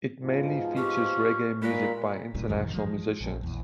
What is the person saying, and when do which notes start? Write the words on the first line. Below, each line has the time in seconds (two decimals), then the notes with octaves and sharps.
It mainly features reggae music by international musicians.
0.22 G#2 B2 F3 F4
0.77 C#4 G4
1.62 A#2 G#3 B5
2.34 F#1 C2 F#2 A2
2.49 A1 F2 D#3 G3
2.74 F3 G#3
3.21 A#1
3.43 A#1 E2